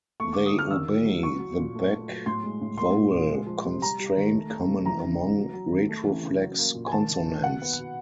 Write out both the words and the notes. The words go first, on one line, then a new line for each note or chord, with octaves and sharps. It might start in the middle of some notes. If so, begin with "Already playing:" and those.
They obey the back-vowel constraint common among retroflex consonants.
A3 C#6
D3 D6
D#6
D3 F6
D#3 E6
F#3
F#3
F#3 C#6
F#3
A#2
A3
A3
F#3
A2 C6
G#3
A2
A#3 C6
A#2
A#2
G#3
F3
C3
G3 A#5
G3
D#3
A3
A3
C3
E3 A#5
C#3
C#3
F#3
F#3
D#3
A3
E3
C#3
F#3
A#3
A#2
G#5
D#3 A5
D#3
D#3
B2 F#5
B3
B2